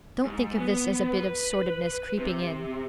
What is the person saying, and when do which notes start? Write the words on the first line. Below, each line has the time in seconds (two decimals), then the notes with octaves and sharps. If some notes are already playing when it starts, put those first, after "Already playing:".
Don't think of this as a bit of sordidness creeping in.
0.25 G#2
0.58 B3
1.18 B4
2.19 C3